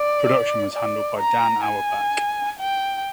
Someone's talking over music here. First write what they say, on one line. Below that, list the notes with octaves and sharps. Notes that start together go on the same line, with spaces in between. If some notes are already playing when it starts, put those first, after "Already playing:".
Production was handled by Dan Auerbach.
Already playing: D5
D5
A#5
G#5
G5